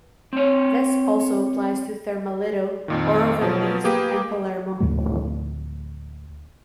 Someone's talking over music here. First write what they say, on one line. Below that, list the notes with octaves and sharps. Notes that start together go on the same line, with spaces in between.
This also applies to Thermalito, Oroville East, and Palermo.
C4 C#5
F2 A#2 D#3
B2 F3 F#3
A#3 G4 G#4 B4
D2 A2 F3 A3